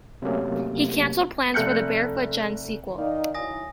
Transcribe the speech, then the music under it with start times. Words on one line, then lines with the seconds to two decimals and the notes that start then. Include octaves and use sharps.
He cancelled plans for a "Barefoot Gen" sequel.
0.22 C3 F#3 A3 A#3 C#4
1.54 F1 A3 F#6 G6 C#7
2.98 D#3 D#4 D5 F5
3.34 F#3 E4 G#5 D#6 A#6